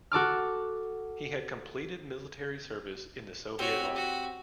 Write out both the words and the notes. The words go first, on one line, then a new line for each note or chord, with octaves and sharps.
He had completed military service in the Soviet Army.
F#4 A4 D6 F6
C4 F#4 G4 C#5
F#4